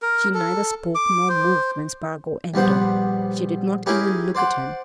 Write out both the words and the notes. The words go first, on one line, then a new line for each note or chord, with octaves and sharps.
She neither spoke nor moved when Spargo entered: she did not even look at him.
A#4
A4
D6
C5
A#1 G3 B3 C5 F#5
C#4 E4 G4 G#4 A#4
C5 D5 F#5 C6